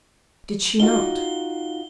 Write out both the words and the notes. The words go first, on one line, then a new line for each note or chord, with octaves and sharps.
Did she not?
D#4 F4 F#4 G7